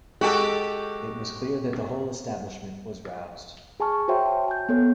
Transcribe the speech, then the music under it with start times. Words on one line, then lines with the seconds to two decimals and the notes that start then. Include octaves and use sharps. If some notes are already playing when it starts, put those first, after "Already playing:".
It was clear that the whole establishment was roused.
0.21 G#3 F#4 G4 A4
3.80 G#4 G#5 A5 C#6 F6
4.08 F#4 C5 C#5 E5 G5 C6
4.26 A5
4.48 G#5 G6
4.69 B3 A4 C#5